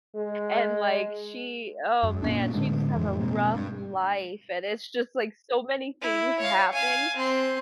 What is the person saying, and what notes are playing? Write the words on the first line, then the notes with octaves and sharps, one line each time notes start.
and, like, she oh man, she just has a rough life and it's just, like, so many things happen,
G#3
F#2
A#2 A#3 C#4 D4
A2 D3 G#3 D4
F2 A2 E3 G#3
B2 G#3 A#3 C4
G2
E4
C#5 F5
F5 G#5
C4 C6